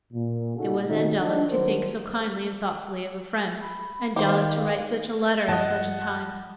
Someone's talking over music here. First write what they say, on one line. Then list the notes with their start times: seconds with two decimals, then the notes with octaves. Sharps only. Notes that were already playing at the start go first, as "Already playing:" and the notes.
It was angelic to think so kindly and thoughtfully of a friend--angelic to write such a letter at such a time.
0.13 A#2
0.56 C#3 D#4 F#4 G#4 A4
0.88 C3 D#3 A3 C#4 D#4 F#4
1.20 F3 D4 D#4
1.51 D#2 F#3 F#4 A#4 C5
3.61 B5
4.16 D#3 G4 C5 F5
5.48 G2 F3 G3 D#5 F#5 A5